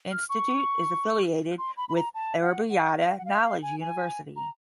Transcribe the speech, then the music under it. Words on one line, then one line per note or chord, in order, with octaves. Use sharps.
Institute is affiliated with Aryabhatta Knowledge University.
F6
C#6
C6
B5
B5
A#5
A5
F#5
F#5
F5
F#5
F5
F5
G#5
G#5
A#5